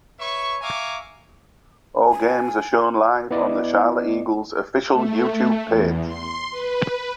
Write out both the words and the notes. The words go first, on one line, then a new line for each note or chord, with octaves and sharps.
All games are shown live on the Charlotte Eagles official YouTube page.
B4 C#5 E5 C#6
E5 F5 G#5 A#5 C#6 D6
G#5
B3 E4 D5 D#5
A3
E2
C6
B4